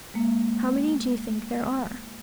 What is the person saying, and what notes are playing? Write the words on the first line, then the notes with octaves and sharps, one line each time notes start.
How many do you think there are?
G#3 A#3